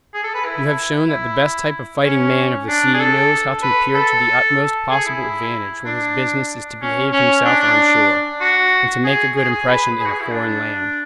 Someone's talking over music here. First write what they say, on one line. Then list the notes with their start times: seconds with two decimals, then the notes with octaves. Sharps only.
You have shown that the best type of fighting man of the sea knows how to appear to the utmost possible advantage when his business is to behave himself on shore, and to make a good impression in a foreign land.
0.14 G#4
0.23 A4
0.34 B4
0.45 E4
1.09 E4
2.04 C#4
2.68 D4
2.94 G#4
3.00 A4
3.63 B4
3.94 A4
4.90 G#4
5.06 E4
5.85 D4
6.82 C#4
7.12 C#4
7.44 D4
7.60 D4
8.41 F#4
9.04 G#4
9.36 G#4
9.52 G#4
9.67 B4
10.00 G#4
10.06 F#4
10.10 G#4
10.20 E4
10.31 D4
10.47 D4